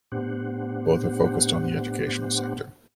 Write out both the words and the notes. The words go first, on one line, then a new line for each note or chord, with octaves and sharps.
Both are focused on the educational sector.
A2 B3 D4 G4 C5 F#5